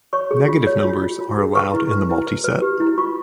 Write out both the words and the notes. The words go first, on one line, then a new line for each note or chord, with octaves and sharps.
Negative numbers are allowed in the multiset.
C#5 C#6
G#4
F4
C#5
F4
F4
F4
G#4
B4 C#6
E4
B4
E4
B4
B4
G4
E4
F4 C#6